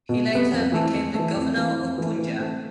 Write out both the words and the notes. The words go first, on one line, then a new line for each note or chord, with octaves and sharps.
He later became the governor of Punjab.
B2
G3 B3
F2
E3 A3
F2
E3 A3
F2
E3 A3
F2
E3 A3
E3
A3 C4